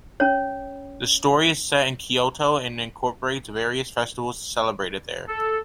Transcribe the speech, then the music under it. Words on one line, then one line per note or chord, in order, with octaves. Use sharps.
The story is set in Kyoto, and incorporates various festivals celebrated there.
C#4 C#5
A4